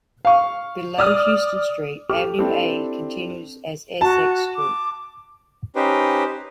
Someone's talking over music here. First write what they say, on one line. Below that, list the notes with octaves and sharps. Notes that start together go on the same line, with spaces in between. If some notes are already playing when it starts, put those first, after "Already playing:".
Below Houston Street, Avenue A continues as Essex Street.
F5 C#6
D5 D#6 F6
G4 A4 D6 F6
C4 D4 E4 G4 A4
F#4 A5
D6
C#4 D#4 G4 B4 C5 G5